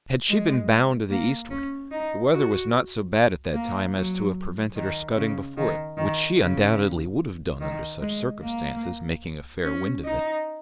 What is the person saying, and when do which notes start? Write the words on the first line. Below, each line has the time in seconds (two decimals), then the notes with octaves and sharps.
Had she been bound to the eastward, the weather was not so bad at that time as to have prevented her scudding before it, which she undoubtedly would have done under such circumstances, making a fair wind of it.
0.28 G#3
1.10 A#3
1.50 C#4
1.91 D#4
2.31 F#4
3.53 A#3
3.94 F#3
4.76 D#3
5.16 C#3
5.57 D#3
5.97 D#3
6.39 C#3
7.61 D#3
8.01 G#3
8.42 A#3
9.64 C#4
10.04 D#4